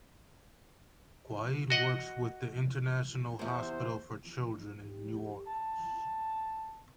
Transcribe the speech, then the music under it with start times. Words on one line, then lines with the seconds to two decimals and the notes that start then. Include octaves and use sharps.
Quaid works with the International Hospital for Children in New Orleans.
1.70 F#4 D#5 F#5
3.39 E2 C3 C5
4.83 G4
5.47 A5